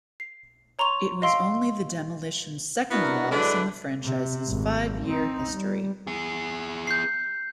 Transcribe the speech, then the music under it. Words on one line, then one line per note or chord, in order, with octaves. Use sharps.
It was only the Demolition's second loss in the franchise's five-year history.
C7
C#5 A#5 C6 C#6 F7
D#5 F5 C6 E6 C7 D7
B3 D4 E4 F#4 A#4
D3 F#3 G#3 D4 E4 B4
C3
G#1
C4 D#4
G3
B3 G#4
G6 C7